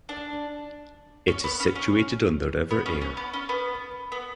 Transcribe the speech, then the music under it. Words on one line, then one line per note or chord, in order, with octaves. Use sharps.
It is situated on the River Ayr.
D4
C#4
B3
C#4
C#4
B3
C#4
C#4
B3
C#4
B3
B3